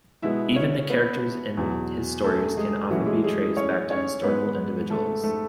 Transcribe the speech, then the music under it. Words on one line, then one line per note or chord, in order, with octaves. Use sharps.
Even the characters in his stories can often be traced back to historical individuals.
B2 G#3 B3 E4 E5
C#4 C#5
B3 B4
E2 B2 F#3
A3 A4
G#3 G#4
A2 E3 F#3 A3 C#4 F#4
G#3 G#4
G#3 G#4
E4
C#4 C#5
C#4 C#5
G#2 G#3 B3 B4
A3 A4
A3 A4